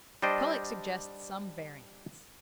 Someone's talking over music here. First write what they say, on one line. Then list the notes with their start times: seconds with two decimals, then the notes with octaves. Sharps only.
Kullak suggests some variants.
0.22 G3 D4 C5 D#5 G5